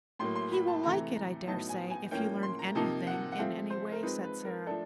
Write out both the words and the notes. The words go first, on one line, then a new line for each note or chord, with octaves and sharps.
"He will like it, I dare say, if you learn anything in any way," said Sara.
A2 F#3 A#3 C6
C6
B5
A5
C3 E3 A3 A#5
A#5
A2 F#3 B3 D#4 A5
G#5
G#5
A2 F3 A#3 C#4 G5
C6
A#5
C3 F3 A#3 D#4 A5
F#5
F#5
F3 A3 C4 F5
C5
A#4
F3 G#3 C4 D#4 B4
B4
A#4
F3 A3 D4 A4